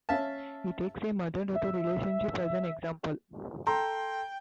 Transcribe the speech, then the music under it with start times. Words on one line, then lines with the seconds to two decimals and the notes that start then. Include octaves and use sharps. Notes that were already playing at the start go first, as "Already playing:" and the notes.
He takes a mother-daughter relationship as an example.
0.09 C#4 E5 F5 A5
1.55 E5
3.67 A4 G5 A#5 C6